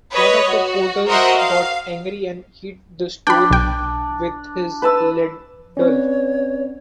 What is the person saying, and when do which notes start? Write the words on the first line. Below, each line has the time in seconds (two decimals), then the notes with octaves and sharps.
One of the porters got angry and hit the stone with his ladle.
0.13 B4 C#5 D#5
0.50 F#4
1.06 F#4 A#4 C5 D#5 E5 F#5
1.36 F5
3.27 D4 G5 B5
3.50 B1 G5
4.82 B4 A5 E6
5.77 C4 C#4 B4 C#5 D5